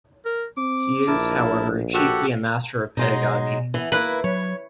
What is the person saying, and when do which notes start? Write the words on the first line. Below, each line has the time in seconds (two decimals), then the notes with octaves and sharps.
He is, however, chiefly a master of pedagogy.
0.25 A#4
0.57 C4 D6
1.07 A#1 E4 A#4 A5
1.94 F#4 G4 A4 F#5
2.97 B2 F#3 G#3 D#4
3.74 E3 B3
3.92 A#3 E4 B4
4.24 F#3 C#5